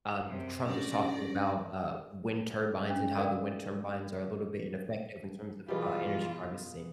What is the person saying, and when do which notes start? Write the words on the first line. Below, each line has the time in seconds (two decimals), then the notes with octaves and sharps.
um, Trump was talking about, uh, wind turbines and how the wind turbines are a little bit ineffective in terms of, uh, energy harvesting,
0.24 F#2 C3
0.65 F#3 C#4 D4 G4 D5 A#6
2.90 C#4
3.17 A4 A#4 D5 E5 F5 G5
5.68 B2 E3 G3 F4 G4 G#4 B4